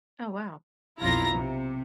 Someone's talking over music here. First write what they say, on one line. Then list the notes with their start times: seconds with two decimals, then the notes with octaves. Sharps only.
Oh, wow.
1.00 B1 F2 E4 F4 A#5 A#6
1.34 C3